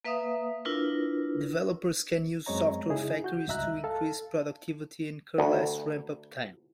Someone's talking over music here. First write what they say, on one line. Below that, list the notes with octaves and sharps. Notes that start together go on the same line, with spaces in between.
Developers can use software factories to increase productivity and incur less ramp-up time.
A#3 B4 E5 F5 D#6
D4 E4 F4 A#4 B4
F#2 G#3 C4 C#5 D#5 A#5
C#3 D#4 E4 G#4
F#4 G6
C#2 G2 D#5 E5 A#5 F#6
A4 F5 A5
D2